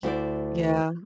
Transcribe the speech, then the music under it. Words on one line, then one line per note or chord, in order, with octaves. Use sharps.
Y yeah.
D2 E4 C5 D5